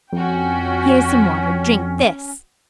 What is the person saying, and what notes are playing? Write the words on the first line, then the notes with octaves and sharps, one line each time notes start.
"Here's some water, drink this!"
F2 C#4 F#4 G5